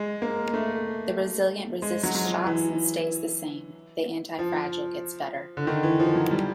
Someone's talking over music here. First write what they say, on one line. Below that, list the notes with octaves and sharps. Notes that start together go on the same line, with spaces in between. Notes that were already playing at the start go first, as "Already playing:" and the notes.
The resilient resists shocks and stays the same; the antifragile gets better.
Already playing: G#3
A#3
A3
G#3
F#3
F#3
F3
E3
F3
D3
D#3
E3
F3
F#3
G3